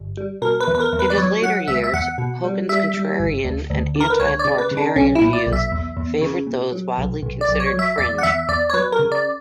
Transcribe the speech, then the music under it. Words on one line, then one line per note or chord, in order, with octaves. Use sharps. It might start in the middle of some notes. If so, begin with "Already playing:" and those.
In his later years, Hogan's contrarian and anti-authoritarian views favored those widely considered "fringe".
Already playing: G1
G3
B2 A#4
B4
E2
B4
A#4
E2
B4
D5
F#3 C#5
F#3 F#5
C#2 E5
E5
E2 F#5
B2
G3
G3 E5
G3
G1
D2
D2
D3 A#4
B4
C#2 C#5
D5
C#3
B4
C#3
D4
B1 C#4
E4
A#2
D5
B1
E5
E2
E2
C#3
A#2
F#3
B1
B1
D5
B1
C#5
F#3
E5
E2 D5
F#5
E2 E5
E2 D5
C#5
F#3 B4
A#4
C#3
D5